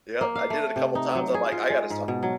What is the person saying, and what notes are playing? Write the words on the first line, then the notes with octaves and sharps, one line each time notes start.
Yep. I did it a couple times. I'm like, "I gotta stop with it."
A#3
F5
A3
C3
D#4
F#3
G#4
F4
G#3
G#2
B2
F#3